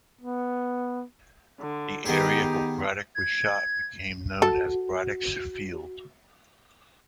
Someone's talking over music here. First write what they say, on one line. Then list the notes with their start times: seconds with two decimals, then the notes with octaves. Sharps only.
The area where Braddock was shot became known as Braddock's Field.
0.21 B3
1.60 D3
2.06 D#3 B3 D#4 G4 G#4
3.15 G#6
4.42 F#4 A4